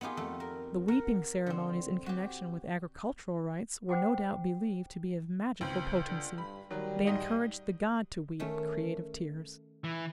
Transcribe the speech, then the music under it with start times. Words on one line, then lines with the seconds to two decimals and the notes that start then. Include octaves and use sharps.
The weeping ceremonies in connection with agricultural rites were no doubt believed to be of magical potency; they encouraged the god to weep creative tears.
0.01 B3 D#4 F4 G4 G#4
0.17 F2 A3 A4
0.40 A#4
0.88 A#4 F#5
1.46 D3 C4
2.06 F#4 G4
3.89 C5 F#5 G5 D6
5.61 C#2 C4 G5
6.07 D3
6.38 G2 B5
6.71 D#3 F#3 G3
7.07 G#2 D#5
8.40 D#3 A3 C#4
9.84 E3